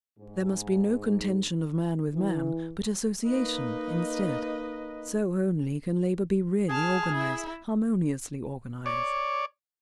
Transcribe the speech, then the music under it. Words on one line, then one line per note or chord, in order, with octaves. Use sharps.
There must be no contention of man with man, but ASSOCIATION instead; so only can labour be really organized, harmoniously organized.
G#2
E3
A#3 D#4 B4 D#5
G#4 A5 F6
E4 E5
C#5 D5